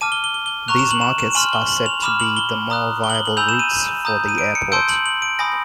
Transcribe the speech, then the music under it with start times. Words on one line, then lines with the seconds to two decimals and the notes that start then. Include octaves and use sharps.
These markets are said to be the more viable routes for the airport.
0.01 A5 D6 F6 D#7
0.12 G7
0.24 G7
0.34 G7
0.46 G7
0.68 A#5 C#6 F#6 F7
0.79 E7
0.91 F#7
1.01 E7
1.19 E7
1.35 G#5 C6 F6 F#7
1.53 G7
1.68 F#7
1.86 F7
2.02 B5 D6 F6 E7
2.20 F#7
2.37 G7
2.70 A#5 D#6 F#6
3.04 G7
3.10 F#7
3.15 G7
3.25 F#7
3.37 G#5 B5 E6 G6 F7
3.49 E7
3.59 D#7
4.05 A#5 D#6 G6
4.28 D#7
4.38 D7
4.55 C#7
4.72 A5 C6 E6 G6 D7
4.89 F#7
5.06 F#7
5.22 D7
5.39 G#5 B5 D#6 A#6